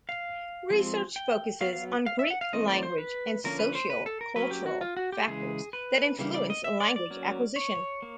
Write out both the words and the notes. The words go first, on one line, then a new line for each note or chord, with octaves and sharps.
Research focuses on Greek language and socio-cultural factors that influence language acquisition.
F5
F3 G#3 C4
G5
F#3 B3 F5
F5
F5
E5
F#5
F5
E3 A3 C4 D#5
D5
C5
B4
D3 F3 A#3 C#4 A#4
B4
C5
B4
A4
A#4
F#3 A#3 C#4 B4
G4
F#4
F4
F#4
G4
C#3 E3 G#3 G#4
B4
C#3 E3 G3 A#3
D5
D#5
E5
D5
D5
F#3 A#3 C#4
C#5
A#3